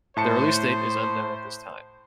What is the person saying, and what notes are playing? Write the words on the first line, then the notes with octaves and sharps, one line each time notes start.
The release date is unknown at this time.
A2 C5 A5 C#7